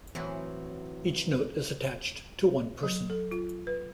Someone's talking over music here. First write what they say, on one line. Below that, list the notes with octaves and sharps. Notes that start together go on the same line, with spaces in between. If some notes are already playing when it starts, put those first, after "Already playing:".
Each note is attached to one person.
A2 E3 F#3 C4
F#3
A4
F4
B4